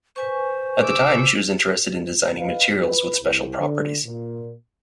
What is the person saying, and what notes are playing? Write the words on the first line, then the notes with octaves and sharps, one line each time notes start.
At the time she was interested in designing materials with special properties.
B4 C5 G#5 C#6
D6 E6
B4 D#5 F5
B4
C2
D3
A#2